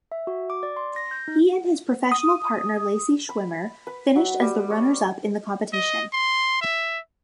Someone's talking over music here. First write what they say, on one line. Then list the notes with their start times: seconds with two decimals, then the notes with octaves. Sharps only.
He and his professional partner Lacey Schwimmer finished as the runners-up in the competition.
0.12 E5
0.27 F#4
0.50 D6
0.63 D5
0.77 C6
0.96 A#6
1.11 G6
1.28 D#4
2.12 D#6
3.29 B5
3.87 B4
4.16 F#3
4.42 G3
4.70 C#5
5.73 D#5
6.13 C6
6.61 E5